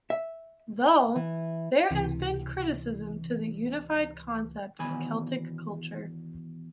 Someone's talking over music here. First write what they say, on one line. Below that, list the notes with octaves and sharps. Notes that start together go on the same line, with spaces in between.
Though, there has been criticism to the unified concept of Celtic culture.
E5
E3
C#2 C3 E3
E2 B2 D#3 G#5 B5